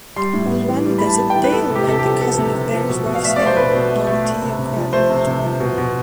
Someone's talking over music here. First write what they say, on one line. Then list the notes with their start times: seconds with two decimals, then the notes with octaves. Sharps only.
On one visit, Dale met the cousin of Barry's wife Sarah, Dorethea Crathorne.
0.16 G3 C6
0.33 A2
0.51 B3
0.68 E3
0.85 G3
0.98 A2 B5
1.07 A5
1.19 B3
1.30 G5
1.36 E3
1.44 B4
1.52 B3 A4
1.70 C3
1.75 G4
1.88 C3 A4
1.99 G4
2.04 F3
2.21 B3 A4
2.38 C3
2.55 C3
2.72 F3
2.89 B2
3.06 B2
3.15 F5
3.23 A3 E5
3.36 A3 D5
3.46 C5
3.57 B2 B4
3.73 B2
3.90 A3
4.07 A3
4.25 A3
4.42 C3
4.59 C3
4.76 F3
4.93 A3 C5
5.10 C3
5.27 C3
5.44 F3
5.60 B2
5.78 B2